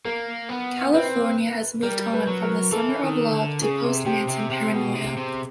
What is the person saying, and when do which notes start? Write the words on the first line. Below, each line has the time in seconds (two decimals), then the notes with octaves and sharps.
California has moved on from the Summer of Love to post-Manson paranoia.
0.05 A#3 A#4
0.49 B3
0.94 C4 B4
1.83 G3 A#4
2.13 B4
2.27 F#3
2.43 A#4
2.72 E3 A4
3.02 D#3
3.31 D3
3.62 C#3 G#4
3.83 C3
4.06 C3 G4
4.28 C3
4.50 C3
4.73 B2
4.95 C3
5.17 C3